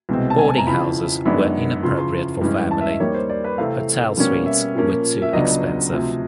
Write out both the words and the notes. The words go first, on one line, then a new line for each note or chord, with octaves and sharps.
Boarding houses were inappropriate for family; hotel suites were too expensive.
C2 B2 G#3 C4
A5
G#5
A5
A#5
F2 C#3 E3 B5
F#2 D#3 G#3 B3 D4 B5
E2 C#3 F3 C6
C6
G2 E3 G#3 C#4
A5
E5
D#5
D#2 D#3 G3 A#3 C#5
C5
D5
B4
C3 E3 A3 C4 F5
B2 G3 A#3 C#4
E5
A#2 F3 A#3 C#4
E5
C#2 C#3 F#3 B3 D4 D#5
D2 C3 F3